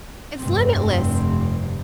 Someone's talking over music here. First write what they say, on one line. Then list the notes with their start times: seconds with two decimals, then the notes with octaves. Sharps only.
It's limitless.
0.41 F1 G2 C4